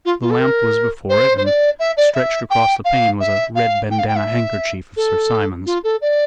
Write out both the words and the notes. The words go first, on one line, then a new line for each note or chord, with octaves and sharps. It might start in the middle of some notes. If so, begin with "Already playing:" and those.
The lamp was before it, and stretched across the pane was a red bandanna handkerchief of Sir Simon's.
F4
F4
A4
A#4
C5
C5
D5
E5
D5
E5
G5
F5
E5
F5
G5
F5
G5
E5
A4
F4
A4
D5